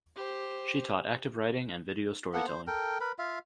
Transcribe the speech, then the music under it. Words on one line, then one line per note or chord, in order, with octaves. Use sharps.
She taught active writing and video storytelling.
G4 C5
A#3 B3 A4 F#5
C5
A4 A#4 G5
A#4 B4 B5
F4 E5 F5